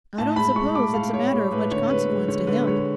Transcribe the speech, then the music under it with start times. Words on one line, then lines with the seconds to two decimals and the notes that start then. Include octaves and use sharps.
'I don't suppose it's a matter of much consequence to HIM.
0.18 A2 A5
0.36 G#3 B5
0.56 G#3 C#6
0.75 A2 D6
0.94 A2 F5
1.13 G#3 C#5
1.33 G#3
1.52 A2 B4
1.71 D3 C#5
1.90 G#3 B4
2.10 G#3
2.28 D3 C#5
2.47 D3 B4
2.67 G#3 C#5